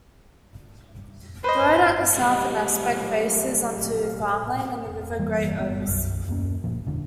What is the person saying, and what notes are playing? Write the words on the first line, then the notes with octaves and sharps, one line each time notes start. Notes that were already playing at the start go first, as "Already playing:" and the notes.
The road at the southern aspect faces onto farmland and the River Great Ouse.
B4 C5 D#5 B5
F#3 A3 G4 G#4 C5 D#5
E3 G3 A#3
G3 B3
B1 F#2
D#1 F#2 A#3 C#4
D1 A#2 F3
E1 D3